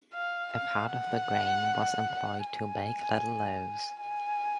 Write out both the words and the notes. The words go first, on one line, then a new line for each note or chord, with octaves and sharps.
A part of the grain was employed to bake little loaves.
F5
F5
F#5
G#5
G#5